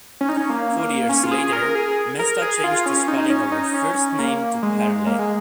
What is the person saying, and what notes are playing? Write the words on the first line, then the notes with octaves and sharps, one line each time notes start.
Four years later, Mesta changed the spelling of her first name to Perle.
C#4
D#4
C#4
A#3
A#3
C#4
F4
G#4
A#4
G#4
A#4
G#4
F4
C#4
D#4
C#4
D#4
C#4
A#3
G#3
A#3
G#3